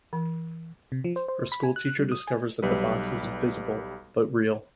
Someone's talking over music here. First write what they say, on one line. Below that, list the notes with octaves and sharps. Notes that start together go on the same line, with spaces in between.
Her school teacher discovers that the box is invisible, but real.
E3
C3
F3
C5
C5
B5
G#5
F#6
G3
D#6
G#5
B1 G3 B4